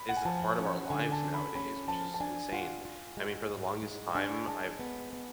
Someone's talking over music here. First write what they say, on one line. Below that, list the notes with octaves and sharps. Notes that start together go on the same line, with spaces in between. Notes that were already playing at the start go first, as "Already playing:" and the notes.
is a part of our lives nowadays, which is insane. I mean, for the longest time I've
Already playing: B5
F#5
G#5
F3 A5
C#4
D3 G#5
A5
C#4
B5
C#4 B5
F3 A5
A5
D4 G#5
F4 F#5
F4
G#3
G#2
G#3
D4 G#5
G#3 A5
B3
B3